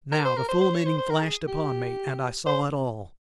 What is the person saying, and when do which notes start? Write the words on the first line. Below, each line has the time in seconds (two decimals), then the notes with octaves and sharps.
Now the full meaning flashed upon me, and I saw it all.
0.12 A#4
0.25 C5
0.37 A#4
0.49 C5
0.61 C5
0.74 C#5
0.86 C5
0.98 C5
1.10 A#4
1.23 G#4
1.48 G4
2.46 C5